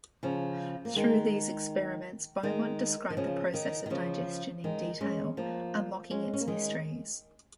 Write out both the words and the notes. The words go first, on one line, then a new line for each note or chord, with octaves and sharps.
Through these experiments, Beaumont described the process of digestion in detail, unlocking its mysteries.
C#3 F3
A#3
D#3 G#3
D#3 G#3
D#3
C#3 F3
D#3
D#3
C#3 F3
D#3 G#3
G#3 C#4
F3 A#3
G#3 C#4
C#4
A#3
D#3 G#3